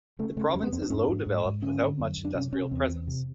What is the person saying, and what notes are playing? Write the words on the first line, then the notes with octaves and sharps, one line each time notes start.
The province is low developed without much industrial presence.
C#3 A3
C#3 A3
F2 G3
B3
F2 C4
D4
G#2 C#4
D4
G#2
G#2
G#2
D3 C#4
D3
F#2
F#2
D4
C3 C#4
C3 C#4
E2 C4
E2
C3